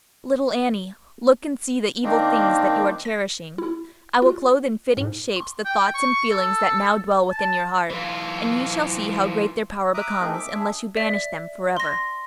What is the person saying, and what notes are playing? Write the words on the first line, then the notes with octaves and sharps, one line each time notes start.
"Little Annie, look and see the evil things that you are cherishing; I will clothe in fitting shapes the thoughts and feelings that now dwell within your heart, and you shall see how great their power becomes, unless you banish them for ever."
D#3 A#3 C4 D4 D#4
A#6
E4
F4
G#2
C6
G5
C#6
A4
A5
E3 F4
E5 A#5 D6 D#6 F#6
A3 C4 D#4 G#4 A#4
E5 D6
D4 G#4 E5
D5 E5
C6 A#6